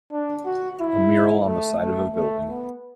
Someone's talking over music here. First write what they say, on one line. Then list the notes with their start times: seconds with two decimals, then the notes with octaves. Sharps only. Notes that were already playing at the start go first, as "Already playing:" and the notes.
A mural on the side of a building.
0.12 D4
0.45 F#4
0.80 E4
1.47 A3
1.81 A3
2.14 A3
2.48 B3